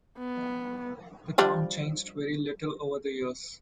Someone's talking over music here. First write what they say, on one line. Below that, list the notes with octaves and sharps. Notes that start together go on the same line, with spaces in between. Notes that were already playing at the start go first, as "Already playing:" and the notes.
The town changed very little over the years.
B3
F3 G3 D4